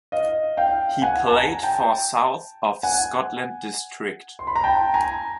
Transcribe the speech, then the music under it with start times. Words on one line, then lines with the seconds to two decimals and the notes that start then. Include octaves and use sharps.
He played for South of Scotland District.
0.12 D#5 F5
0.57 F5 G5
1.02 F#5 G#5
1.28 A5
1.32 G#5 A#5
1.63 G5 A5
2.83 F#5 G#5
4.39 C6
4.47 B5
4.56 A#5
4.63 G5 A5
4.94 G#5 A#5